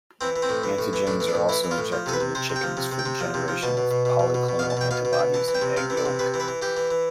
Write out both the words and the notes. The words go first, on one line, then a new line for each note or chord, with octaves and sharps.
Antigens are also injected into chickens for generation of polyclonal antibodies in egg yolk.
E3 C4
E3
C4
A2
E3
A2
E3
A2 D4
E3
D4
A2
E3 E4
E3
F4
A2
F3
C3 A4
B4
C3
C3 C5
C3
G5
F3
C3
C3
G5
C3
F3
C3
F3
B2 A5
B2
B2
B2
B2
B2
B2
F5
B2
A5
B2 G5
B2 F5
B2
G5
B2
E3 A5
E3
G5
C3
C3 F5
E3
D5
C3
C3 B4
E3
B4
E3
E3 G4
E3
E3